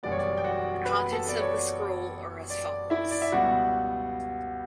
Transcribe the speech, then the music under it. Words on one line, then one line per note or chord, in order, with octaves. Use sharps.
The contents of the scroll are as follows.
F#1 E2 B2 G3 B3 D5
C#5
D5
G5
F#4 F#5
B4 B5
A4 A5
D5
C#5
D5
E4 E5
D5
E5
C#2 B2 G3 B3 F#4 F#5